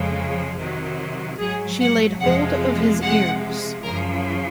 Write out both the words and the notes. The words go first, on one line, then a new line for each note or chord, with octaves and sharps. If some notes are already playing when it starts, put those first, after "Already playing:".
She laid hold of his ears.
Already playing: F2 C#3 F3 G#3
C3 D#3 F#3
G#2 F#3 G#4
F#5
F2 C3 F3 G#3 F#5
C3 F3 G#3 F#5
F#2 C#3 F3 A#4